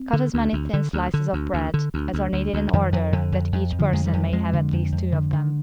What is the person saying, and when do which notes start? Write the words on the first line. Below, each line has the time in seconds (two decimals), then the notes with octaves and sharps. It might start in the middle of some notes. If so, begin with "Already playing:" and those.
Cut as many thin slices of bread as are needed in order that each person may have at least two of them.
Already playing: C4
0.13 D3
0.34 D2
0.53 D2
0.74 D3
0.93 D2
1.14 D3
1.33 D2
1.54 D2
1.74 D3
1.94 D2
2.14 D2
2.33 D2
2.53 D2
2.73 F2 D#3
2.92 F2
3.12 F2 D3
3.32 F2
3.52 F2
3.72 F2
3.79 D3 F3
3.93 F2 G#3
4.06 D#3 G3
4.13 F2
4.33 F2 F3 G#3
4.53 D3
4.73 F2
4.92 F2
5.12 D3
5.33 D3